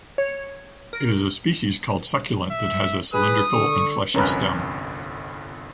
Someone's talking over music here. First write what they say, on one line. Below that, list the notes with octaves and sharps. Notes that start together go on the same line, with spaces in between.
It is a species called succulent that has a cylindrical and fleshy stem.
C#5
A#4
E5
G#4 B4 D#6
D3 C#6
G1 C2 F2 C#4 A#4 B4